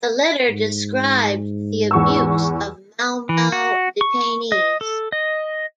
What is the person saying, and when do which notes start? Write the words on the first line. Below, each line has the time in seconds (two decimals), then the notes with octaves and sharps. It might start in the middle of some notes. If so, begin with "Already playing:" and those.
The letter described the abuse of Mau Mau detainees.
0.50 G#2
1.91 E2 C#6 E6
3.29 E3
3.52 F#4
4.01 C#6
4.52 D#5
4.81 A4
5.12 D#5